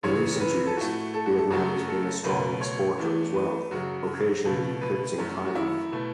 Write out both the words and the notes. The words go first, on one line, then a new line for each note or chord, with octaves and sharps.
In recent years, Vietnam has been a strong exporter, as well, occasionally eclipsing Thailand.
F#2 C#3 E3 C#5
B4
A4
A2 A3 F#4
A4
F#4
A4
F#2 C#3 F#3 A3 F#4
A4
C#2 B2 A3 B4
C#5
E2 E3 A3
B4
F#2 C#3 F#3 F#4
C#2 B2 A3 A4
B4
F#2 F#3 A3 C#4
F#4
E4
B2 A3